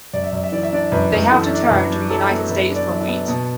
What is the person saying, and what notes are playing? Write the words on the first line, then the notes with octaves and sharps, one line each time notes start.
They have to turn to the United States for wheat.
F#2 D5
E5
F#2 D5
E5
E3 D5
E5
D4 D5
F#2 B4
F#2
E3 A4
D4
F#2 B4
D4
F#3 A4
B3
F#2 B4
D4
D5
F#3
B3
B2 A5